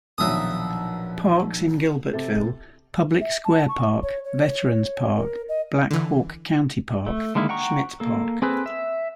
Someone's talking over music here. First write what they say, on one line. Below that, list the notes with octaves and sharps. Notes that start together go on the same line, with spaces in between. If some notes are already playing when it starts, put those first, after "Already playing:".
Parks in Gilbertville Public Square Park, Veterans Park, Black Hawk County Park, Schmidt Park.
A#1 B2 D#3 F#3 E5 D#6
C3 A4
E5
A5
C#6
C#5
C#5
A#4
D#5
D3 E3
A3
D3 D#3 G#3 A#3 E4
F#5 G5 A#5 C#6
A#3 A4
C4 G#4 A4 B4
E5